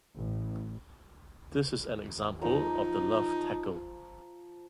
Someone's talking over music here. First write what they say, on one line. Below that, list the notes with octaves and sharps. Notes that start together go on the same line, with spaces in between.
This is an example of the Luff tackle.
A1
F3 D#4 A#5